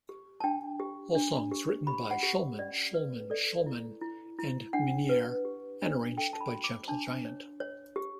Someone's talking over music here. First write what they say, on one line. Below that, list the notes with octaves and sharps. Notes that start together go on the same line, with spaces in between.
All songs written by Shulman, Shulman, Shulman and Minnear and arranged by Gentle Giant.
G4
A5
D4 G5
G4
D4
G4
G4 B5
F#5
G4
C#4 D5
B4
A4 D5
E4
E4
E4
D4 F#5
B4
G4
D4
A4 G5
A5
B5
F#4
D6
D4 A5
C#5
C#5
G4